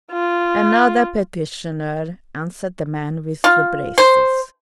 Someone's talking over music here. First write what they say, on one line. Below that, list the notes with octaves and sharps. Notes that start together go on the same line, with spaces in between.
"Another petitioner," answered the man with the braces.
F4
F4
C5